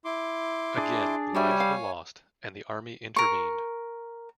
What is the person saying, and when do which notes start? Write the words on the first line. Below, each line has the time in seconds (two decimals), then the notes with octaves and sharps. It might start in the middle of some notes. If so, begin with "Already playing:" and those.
Again, lives were lost, and the army intervened.
0.05 E4 C6 D6
0.78 D4 G#4
1.35 G3 F#4 C5 C#5 E5 G#5
1.60 F5
3.16 A#4 C#6